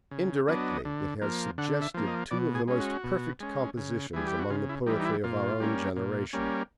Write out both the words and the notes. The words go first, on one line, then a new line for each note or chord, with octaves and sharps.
Indirectly it has suggested two of the most perfect compositions among the poetry of our own generation.
C#3
F#3 B3 D4 D#5
D3
F3 A#3
D3 F#5
E5
F3 A#3
D#5
B2 D5
G#4
G#3 C#4
F#4
B2
G#3 C#4
C#3
E3 G3 G#4
G4
F#4
C#3 F4
E4
E3 G3 D#4
D#4
E4
A#2 F4
G3 A#3 C#4
A#2
G3 A#3 C#4